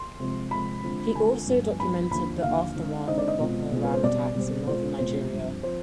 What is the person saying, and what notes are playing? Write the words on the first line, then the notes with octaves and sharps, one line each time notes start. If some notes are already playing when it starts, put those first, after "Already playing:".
He also documented the aftermath of Boko Haram attacks in Northern Nigeria.
Already playing: C6
C3 F3 G#3
C3 F3 G#3 B5
D3 G#3 C4 F4
D3 G#3 C4 F4 G#5
G2 F3 B3 F4
G2 F3 B3 F4 B5
D#2 D3 F3 B5
D#2 D3 F3 F5
D3 G#3 C4 D#4
D3 G#3 C4 D#4 D#5
D5
D#5
B2 G#3 C4 F4
B2 G#3 C4 F4
B4
C5
B2 G3 C4 D5
B2 G3 C4
B2 G#3 C4 F4 C5
B2 G#3 C4 F4 C5
G2 F3 C4
F3 C4 C5